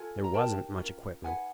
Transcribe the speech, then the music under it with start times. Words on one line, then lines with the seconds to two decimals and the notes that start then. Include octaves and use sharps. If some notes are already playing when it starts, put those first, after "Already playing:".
There wasn't much equipment.
Already playing: F4 A4 G#5
0.24 A#5
0.34 D#4 G4 A#4 G5 A5
0.78 C#4 F4 A#4
1.24 D#4 G#4 B4 F#5 G#5